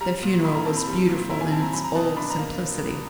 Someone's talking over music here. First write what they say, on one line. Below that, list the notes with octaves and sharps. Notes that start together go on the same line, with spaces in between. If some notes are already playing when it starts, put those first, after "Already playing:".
The funeral was beautiful in its old simplicity.
G3 A#5
A#2
E4 B5
A#5
C4 A5
B5
G3
A#2
E4 A#5
G#5
C4 A5
A#5
F#3 B5
A#5
B2 A5
D4 B5
A#5
A#3